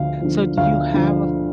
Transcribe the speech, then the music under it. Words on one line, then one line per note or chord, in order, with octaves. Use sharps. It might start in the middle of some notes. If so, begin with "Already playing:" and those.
So do you have a f
Already playing: D2 D3 F3 F5
D3 F3
D2 F5
D3 F3